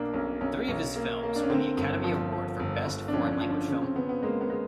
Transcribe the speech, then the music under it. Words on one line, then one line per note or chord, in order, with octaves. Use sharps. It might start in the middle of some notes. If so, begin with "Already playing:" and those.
Three of his films won the Academy Award for Best Foreign Language Film.
Already playing: B1 B2 A#3 D4
B1 C#4
B1 C#4
B1
A#3
A#3
D4
C#4
D3 C4
G1
F3
F3
G1
G1
D4
F3 C#4
D4
C#4
F3
D4
C#3 C#4
C4
C#3 B3
B3
G#3 A#3
B3
G#3